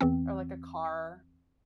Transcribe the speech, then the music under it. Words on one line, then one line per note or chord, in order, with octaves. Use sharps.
or, like, a car.
E2 E3 C4